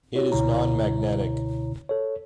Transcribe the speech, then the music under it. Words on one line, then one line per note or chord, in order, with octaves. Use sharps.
It is nonmagnetic.
E4 F#4 G4 C#5
C#2 B2 D3 E4 C#5 A#5
A4 C#5